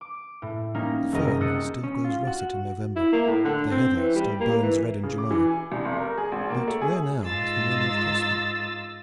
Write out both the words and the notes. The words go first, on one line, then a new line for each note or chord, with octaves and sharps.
The fern still glows russet in November, the heather still burns red in July; but where now is the Manor of Cosford?
D6
A2
G3 A#3 C#4 D#4
F#1 C2 D#3 G#3 A#4 D#5
D#6 E6 F#6 G6 A6 C#7
C#4
F4
F#4
E4
A#3
A2
D3
C4
E3
G3
A#3
E3
C#3
D6
E3
G#5
C2
F1
A#4
G#4
G#1
A#3
A3
G#4
G#2 F4 D#5 E6 A6